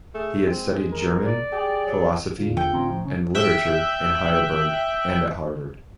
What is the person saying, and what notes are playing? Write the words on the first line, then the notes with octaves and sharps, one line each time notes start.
He had studied German, philosophy, and literature in Heidelberg and at Harvard.
A3 G#4
G#3 C4
A#4
D5
G4 G#4
F#3
E2 D3 F4
E3 A4 G5
A2 C4 C#4 A#5
F3
C#3 C#4
E5 G5 F#6